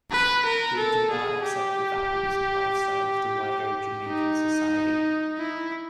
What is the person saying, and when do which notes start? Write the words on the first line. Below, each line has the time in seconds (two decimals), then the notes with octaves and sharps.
They do not accept the values and lifestyle of the wider Jamaican society.
0.11 B4
0.45 A#4
0.77 A4
1.10 G#4
1.43 G4
4.07 D#4
5.38 E4